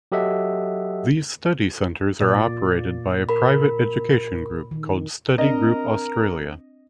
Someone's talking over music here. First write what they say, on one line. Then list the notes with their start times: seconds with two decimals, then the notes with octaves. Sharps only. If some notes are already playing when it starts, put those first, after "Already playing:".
These study centres are operated by a private education group called Study Group Australia.
0.12 F#3 G4 A4 D#5 E5 F#5
2.21 A#2 D5
3.29 A#4 B5
4.71 D#3
5.38 C4 D4 A#4 D5 D#5